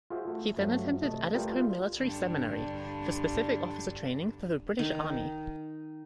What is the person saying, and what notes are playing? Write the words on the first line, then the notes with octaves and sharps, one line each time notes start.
He then attended Addiscombe Military Seminary for specific officer training for the British Army.
F4 F#4 G#4 C5 E5
A3
G2 F3 F#3 A3
C3 A3 D#5 A5
G3 A3 F4 A#4 B4 G5
F4
G2 D3
D#3